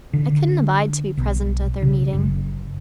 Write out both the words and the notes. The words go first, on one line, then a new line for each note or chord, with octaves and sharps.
I couldn't abide to be present at their meeting.
D3
B1
C#3
F#1